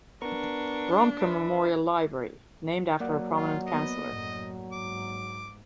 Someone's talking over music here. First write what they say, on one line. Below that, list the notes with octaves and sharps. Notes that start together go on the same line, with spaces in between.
Romke Memorial Library, named after a prominent Councillor.
B3 D4 A#4 C#6
B4 E5
F#3 A#3 D5 F#5
F4
B3 D#5
F#2 A2 F#3
G#2 D6